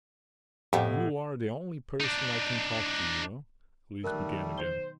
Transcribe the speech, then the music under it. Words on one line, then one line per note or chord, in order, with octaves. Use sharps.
"You are the only person I can talk to, you know," Lise began again.
F2 A2 B3 G4
D4 D#4
B2 D#3 F#3 G3 A3 A#4 F#6
C5 G7